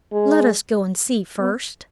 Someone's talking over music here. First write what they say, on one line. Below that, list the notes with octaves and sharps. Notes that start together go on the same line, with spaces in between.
"Let us go and see first."
G#3
B3